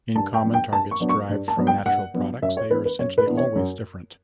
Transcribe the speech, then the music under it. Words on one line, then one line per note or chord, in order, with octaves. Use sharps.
In common targets derived from natural products, they are essentially always different.
G2 A5
G5
F#3 B3 D4
G5
G2 A5
C#6
F#3 B3 D4
C#6
G2
A5
F#3 B3 D4
G5
G2 F#5
F#3 B3 D4
F#2 E5
C#5
E3 B3 D4 B4
B4
F#2 C#5
B4
E3 B3 D4
C#5
F#2